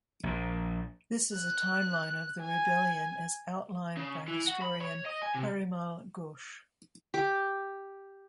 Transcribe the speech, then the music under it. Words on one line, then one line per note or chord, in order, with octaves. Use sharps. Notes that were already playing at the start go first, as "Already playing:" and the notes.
This is a timeline of the rebellion as outlined by historian Parimal Ghosh.
A#1 A#2
F#6
G#5
C#3
E3
F#4
B5
C#5
D#5
G#5
C3
G4 D6